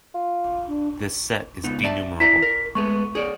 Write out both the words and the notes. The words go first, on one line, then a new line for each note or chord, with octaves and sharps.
This set is denumerable.
F4
D4
C#2 B3 D#4
D5 E5 A5
E4 D5 A#5 B6
A#4
G#3 A3 B3 C#6
G#4 C#5 D5